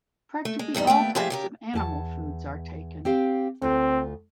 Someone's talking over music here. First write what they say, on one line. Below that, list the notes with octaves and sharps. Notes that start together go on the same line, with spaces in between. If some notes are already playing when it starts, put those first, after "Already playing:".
Practically all types of animal foods are taken.
A3
G#3
E2 G2 G3 D#4
D#2 A3 B3 G5
A2 F3 G4 G#4 E5
C#3 G4 A#4
E2 G4 A5
C4 G4 F5
D2 C4 F4